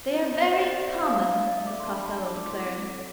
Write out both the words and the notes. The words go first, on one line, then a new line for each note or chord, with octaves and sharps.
"They are very common," Mrs. Costello declared.
F4 D5
C5
C4
D5
A4
D5
C4 C5
D5
G#4 E5
F5
D4
F5
D4 D5
G#4 D5
E5
A4 D6
C6
D4 A5
B5
D4 C6
A4 D6
E4 D6
C4
A4